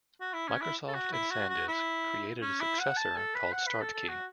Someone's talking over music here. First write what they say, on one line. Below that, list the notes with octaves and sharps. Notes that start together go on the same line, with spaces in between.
Microsoft and SanDisk created a successor called StartKey.
F#4
E4
C#4
E4
A4
F#4
E4
F#4
F#4
E4
C#4
E4
F#5
A5
A4
B4
F#5
B4
A4
A4
F#4